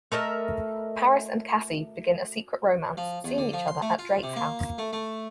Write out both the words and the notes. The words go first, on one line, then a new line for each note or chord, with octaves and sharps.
Parris and Cassie begin a secret romance, seeing each other at Drake's house.
A3 A#4 D#5 E5
F3
E2
D3
F3
C6
A3
F4
C3
A#3
A3
A3